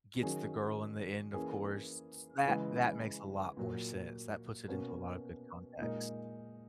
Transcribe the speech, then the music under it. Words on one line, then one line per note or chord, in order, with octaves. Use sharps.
gets the girl in the end, of course, s that that makes a lot more sense, that puts it into a lot of good context.
D#3 F#3 C#4 G#4
E3 A#3 C#4 G#4
C#3 E3 G#3
A#2 F#3 A#3
B2 A#3 C#4 F#4 A#4
A#2 G#3 D#4 A#4